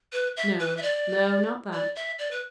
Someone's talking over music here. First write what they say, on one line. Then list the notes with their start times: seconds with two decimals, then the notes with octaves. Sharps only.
No, no: not that.
0.12 B4
0.36 E5
0.59 B4
0.77 E5
0.82 D5
1.73 D5
1.96 E5
2.19 D5
2.31 B4